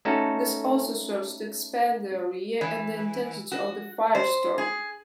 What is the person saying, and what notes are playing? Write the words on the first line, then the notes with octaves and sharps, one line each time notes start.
This also serves to expand the area and the intensity of the firestorm.
A3 C#4 D#4 F#4 A4
E3
F#4
C5
G#4